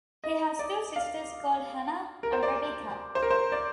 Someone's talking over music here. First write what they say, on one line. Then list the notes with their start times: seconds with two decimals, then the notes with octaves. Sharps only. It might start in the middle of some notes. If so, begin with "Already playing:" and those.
He has two sisters called Hannah and Rebecca.
0.24 D#5
0.59 D5
0.96 F5
2.23 A#4
2.33 C5
2.43 D5
3.15 C5
3.22 A#4
3.31 C5
3.52 D5